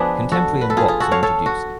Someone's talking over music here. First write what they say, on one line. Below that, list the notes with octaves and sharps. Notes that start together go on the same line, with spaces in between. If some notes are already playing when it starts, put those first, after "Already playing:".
Contemporary and waltz are introduced.
Already playing: F3 B3 D4 G#4 B4
F#4 A4
B4
A4
F4 G#4
F4 G#4
F#4 A4
C#5 F5
A4 C#5
F#4